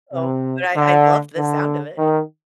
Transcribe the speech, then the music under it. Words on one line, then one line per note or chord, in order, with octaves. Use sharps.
No, but I I love the sound of it.
C3
D3
D3
D#3